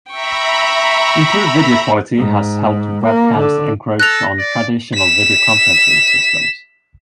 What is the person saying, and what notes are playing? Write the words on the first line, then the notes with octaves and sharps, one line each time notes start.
Improved video quality has helped webcams encroach on traditional video conferencing systems.
E5 G5 A#5 B5 C#6
G#2
A#3
D3
A4 F#6 A#6 F7
D5
B6 E7